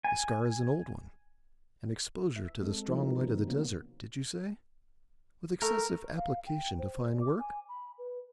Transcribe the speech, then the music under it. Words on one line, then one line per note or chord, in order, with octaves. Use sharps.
The scar is an old one, and--exposure to the strong light of the desert, did you say?--with excessive application to fine work?
G#5
E5
G#3 C4 A4
F3 G3 D#4 E4 A#4
C3 D#3 B3 D4
A#3 B3 C#4 F#4
A3 A#4
F5
G5
C5
D5
D6
G#5
B5
B4